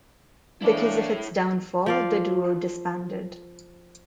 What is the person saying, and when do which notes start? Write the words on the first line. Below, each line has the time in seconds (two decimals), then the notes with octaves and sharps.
Because of its downfall, the duo disbanded.
0.62 E3 A#3 D4 E4 C#5
1.86 F3 D5 F5